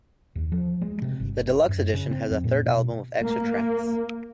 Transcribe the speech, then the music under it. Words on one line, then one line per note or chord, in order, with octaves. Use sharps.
The deluxe edition has a third album with extra tracks.
D#2
F3
G#3
C3
G1
F#2
C#3
C4
F2
A#2
B2
A#3